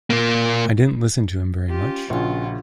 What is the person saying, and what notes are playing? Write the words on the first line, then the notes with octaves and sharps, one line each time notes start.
I didn’t listen to him very much.
A#2 A#3
C#4 F4 G4
A#1 C#3 F4 F#4